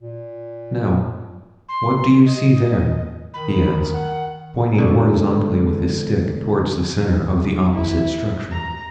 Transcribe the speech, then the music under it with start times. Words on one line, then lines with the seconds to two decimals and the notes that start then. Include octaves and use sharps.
'Now, what do you see there?' he asked, pointing horizontally with his stick towards the centre of the opposite structure.
0.02 A#2
1.69 C6
2.26 D#5
3.34 D#3 B5
3.93 F#5
4.78 G#2 B2 D3
7.72 E4
8.51 A#5